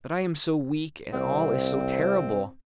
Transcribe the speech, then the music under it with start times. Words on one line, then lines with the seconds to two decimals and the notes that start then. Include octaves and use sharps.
But I am so weak, and all is so terrible.
1.13 C2 C4